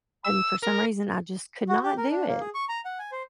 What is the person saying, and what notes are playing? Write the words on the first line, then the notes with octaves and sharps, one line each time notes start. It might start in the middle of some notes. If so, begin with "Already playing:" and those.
and for some reason, I just could not do it,
E6
A#4
F#4
G4
A#4
D4
A#3
G#4
C#6
A#5
F#5
G#5
C5